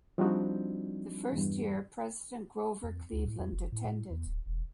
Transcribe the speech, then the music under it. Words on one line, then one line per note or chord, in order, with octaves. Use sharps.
The first year, President Grover Cleveland attended.
F3 G3 C4 D4 D#4 F#4
E2 G2
F2
D2
A2
F2
F#1
A2
A2
E2
D1
E1